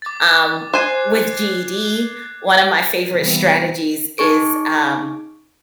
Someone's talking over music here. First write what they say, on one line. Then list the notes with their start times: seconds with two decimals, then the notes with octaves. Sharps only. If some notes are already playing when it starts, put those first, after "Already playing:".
Um, with GED, one of my favorite strategies is, um
0.02 D6 A6
0.74 C5 G#5 F#6 G#6 C7
3.10 D#2 C3 E3 G3 B3
4.18 D#4 G#4 C#6 D7